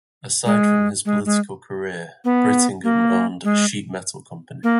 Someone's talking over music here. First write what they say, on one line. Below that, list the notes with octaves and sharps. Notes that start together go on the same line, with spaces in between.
Aside from his political career, Brittingham owned a sheet metal company.
G#3
G#3
G#3
B3
A#3
G#3
A#3